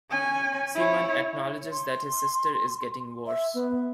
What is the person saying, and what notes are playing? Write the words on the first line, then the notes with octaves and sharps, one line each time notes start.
Simon acknowledges that his sister is getting worse.
C#4 G#5
E4 C#5
C6
E5
B3